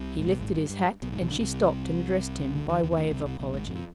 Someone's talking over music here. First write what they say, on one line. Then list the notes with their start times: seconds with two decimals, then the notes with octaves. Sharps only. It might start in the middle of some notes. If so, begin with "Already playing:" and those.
He lifted his hat, and she stopped and addressed him by way of apology.
Already playing: C2 C3
0.18 G#2
0.27 B1 B2
0.41 G#1 G#2
0.55 G2
0.69 G2
1.02 B1 B2
1.12 G#2
1.21 B1 B2
1.31 D3
1.40 C2 C3
2.55 D2 D3
2.69 D#2 D#3
2.83 D#2 D#3
2.91 C3
2.97 D2 D3
3.07 D3
3.11 C2 C3
3.25 C2 C3
3.39 B1 B2
3.54 G#1 G#2
3.68 F2